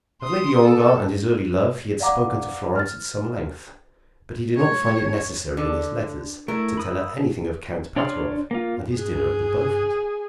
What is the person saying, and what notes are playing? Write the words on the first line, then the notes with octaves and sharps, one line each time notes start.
Of Lady Ongar and his early love he had spoken to Florence at some length, but he did not find it necessary in his letters to tell her anything of Count Pateroff and his dinner at the Beaufort.
C6 D#6
A4
D5 F5 F#5 A#5 D6
F6 A6
C#5
D3
A3 E4 A#4
B5 D#6 E6
D4 C#5 D5 C6 F6
A#3 F4
G2 G#4